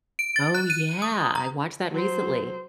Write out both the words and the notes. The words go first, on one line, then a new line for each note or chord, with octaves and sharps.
Oh yeah, I watched that recently.
D7
A6
F#6
D#7
D#6
A#5
F#3 C5